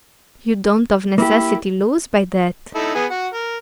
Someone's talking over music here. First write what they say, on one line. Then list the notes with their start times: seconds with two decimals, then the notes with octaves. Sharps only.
"You don't of necessity lose by that."
1.18 A#3 E4 G4
2.75 D#4 E4 A4
2.95 B3 G#4
3.10 F#4 F#5
3.34 A#4